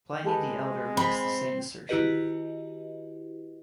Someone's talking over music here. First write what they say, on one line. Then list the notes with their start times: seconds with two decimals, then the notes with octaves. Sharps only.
Pliny the Elder makes the same assertion.
0.24 G#3 G4 A4 B4
0.97 C4 B5
1.89 D#3 E4 F#4 G4 B4 D#5